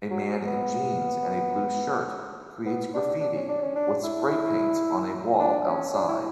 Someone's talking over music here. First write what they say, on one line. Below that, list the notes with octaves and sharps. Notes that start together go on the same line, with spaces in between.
A man in jeans and a blue shirt creates graffiti with spray paints on a wall outside.
F#3
B3
B3
D4
D4
C#4
D4
C#4
D4
E4
E4
D4
C#4
D4
E4